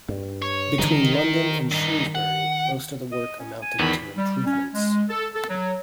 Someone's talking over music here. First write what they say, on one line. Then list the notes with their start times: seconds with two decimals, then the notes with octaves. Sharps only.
Between London and Shrewsbury, most of the work amounted to improvements.
0.09 G2
0.42 C#5
0.79 D3 E3 G3 D#4 A#4
1.11 D#3
1.71 G2 D#4
2.15 F#5
3.11 D#5
3.40 C#4
3.62 G#5
3.79 E2 D3 D#3 B5
4.16 G3
4.45 C#4
4.74 G#3
5.09 A4
5.34 A4
5.49 F#3